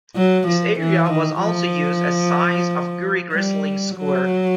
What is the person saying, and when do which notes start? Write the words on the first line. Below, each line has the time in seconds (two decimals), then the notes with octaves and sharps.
This area was also used as the size of a Greek wrestling square.
0.15 F#3
0.47 F3
0.79 E3
1.11 D#3
1.42 F3
3.33 G3
3.97 F#3